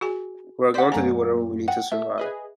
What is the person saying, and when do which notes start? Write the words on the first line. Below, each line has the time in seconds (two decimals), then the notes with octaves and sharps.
We are going to do whatever we need to do to survive.
0.01 F#4 G#4 G#5
0.74 C5 D5 F#5 B6
0.92 F#2 A3 A#3 G#5 A#5
1.68 F#5 G5
1.92 A3 E5
2.18 G#4 B4 D#5